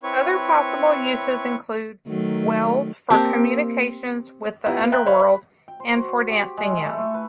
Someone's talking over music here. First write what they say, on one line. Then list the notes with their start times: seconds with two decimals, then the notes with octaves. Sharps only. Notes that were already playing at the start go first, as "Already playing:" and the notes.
Other possible uses include wells, for communications with the underworld and for dancing in.
0.03 C4 E4 B4 C#5 C#6
2.08 D#3 F#3 A3
3.10 A#3 C4 G4 A#4 A5
4.66 B3 E4 F4 G4 F#5 A#5
4.80 B3 F5
4.92 E5 G5 A#5 C6 F#6
5.06 C5 C#5 D#5 F5 B5
5.20 B5
5.68 G5
5.80 C5
5.92 F#4
6.30 G4
6.57 G#3
6.71 E4
6.85 A3
6.98 C#6
7.14 B4